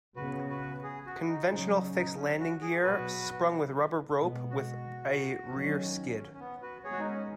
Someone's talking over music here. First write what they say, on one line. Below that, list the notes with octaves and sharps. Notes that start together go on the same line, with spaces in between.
Conventional fixed landing gear, sprung with a rubber rope, with a rear skid.
C#3 B3 F#4 B4
F#4 B4
G#4
F#4
D#4
C#3 F#3 C#4 D#4
D#4
D#4
C#4
F#4
G#4
B2 F#3 B3 F#4 B4
B2 G#3 B3
F#4
D#3 F#3 C#4
C#4
C#4
B3
F#4 B4
D#3 G#3 B3 G#4 C#5
F#4
D#4
C#4